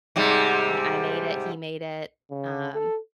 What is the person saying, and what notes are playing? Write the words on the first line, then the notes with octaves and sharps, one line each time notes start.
eh I made it, he made it, um
G#2 C3 G3
C#3
A4